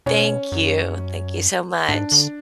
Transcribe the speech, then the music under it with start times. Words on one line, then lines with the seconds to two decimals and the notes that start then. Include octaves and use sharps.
Thank you. Thank you so much.
0.06 B2 C#4
0.52 F#2
1.89 G#2 D4
2.12 D3